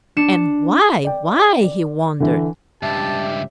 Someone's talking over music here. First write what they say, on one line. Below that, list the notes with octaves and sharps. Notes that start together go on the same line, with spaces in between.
"And why--why?" he wondered.
D4 C#7 E7
D5 G5
D5
D3 E3
C#2 G2 G4 E5 A5